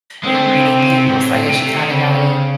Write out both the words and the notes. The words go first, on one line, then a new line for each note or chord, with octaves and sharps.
in reading people so, I guess you kinda gotta
G#3 C4
A3
G#3
C#3
C3
C#3
C3
G#2
A2
A2
C3 A3
C3
D#3
C#3 C4